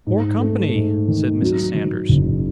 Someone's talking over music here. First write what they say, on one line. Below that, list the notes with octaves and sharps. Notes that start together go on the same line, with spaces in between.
'More company!' said Mrs. Sanders.
G#2
A3
G#2
D#3
F#3
D#3
F#1